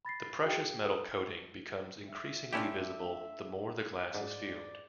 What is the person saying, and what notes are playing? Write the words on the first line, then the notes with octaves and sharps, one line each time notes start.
The precious metal coating becomes increasingly visible the more the glass is fumed.
B5 A6 A#6 C7
F#4 G#4 F5 G5
A4 B4 D#6
E5
A3 C#4 D4 E4 F4 G4
G#2 D5